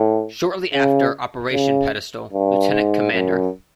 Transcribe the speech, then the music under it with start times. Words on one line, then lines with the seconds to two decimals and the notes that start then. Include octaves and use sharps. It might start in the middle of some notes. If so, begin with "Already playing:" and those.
Shortly after Operation Pedestal, Lt.Cdr.
Already playing: A2
0.73 C#3
1.53 C#3
2.33 G2
2.72 G#2
3.13 F#2